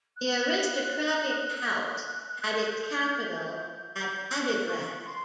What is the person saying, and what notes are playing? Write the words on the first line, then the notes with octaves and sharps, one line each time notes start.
The aristocratic house had its capital at Adigrat.
F#6
G#6
G6
F#6
G6
G6
F#6
C#6
C6